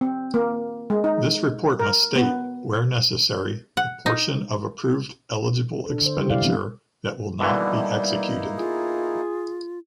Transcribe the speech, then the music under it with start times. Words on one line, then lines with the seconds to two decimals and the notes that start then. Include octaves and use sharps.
This report must state, where necessary, the portion of approved eligible expenditure that will not be executed.
0.01 C4
0.34 A#3
0.90 G#3
1.04 D#4
1.79 A#4
2.16 B3
3.77 F#5
4.06 D#4
5.86 D4 A4
6.02 D3 C5
6.17 G3 E4 G4
6.30 C3 F#3 E4 D5 F5
6.42 E3 F3 B3 C4 D4
7.40 B2 D3 E3 G3 A#3 D#4 E4
8.58 F4 G#4